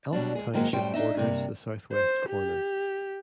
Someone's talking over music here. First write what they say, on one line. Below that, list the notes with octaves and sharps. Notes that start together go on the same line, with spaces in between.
Elk Township borders the southwest corner.
B2 F#3 G3 D4
G#3 G#4
G#2 D#3 F#3 G#3 A#3 D#4
F#2 A2 G3 C5 G5
D4 D#4 D#5 E5
G2 C3 A#3
C5
G4